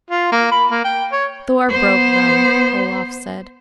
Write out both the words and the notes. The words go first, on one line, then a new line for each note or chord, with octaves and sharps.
"Thor broke them," Olaf said.
F4
A#3
B5
A#3
G5
C#5
B3 C5